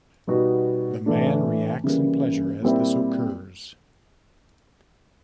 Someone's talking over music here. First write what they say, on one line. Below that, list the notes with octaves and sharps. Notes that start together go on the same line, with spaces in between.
The man reacts in pleasure as this occurs.
B2 G3 B3 D#4 F#4
A2 E3 A3 D4
C#3 E3 G3 A#3
A#2 G3 C4 E4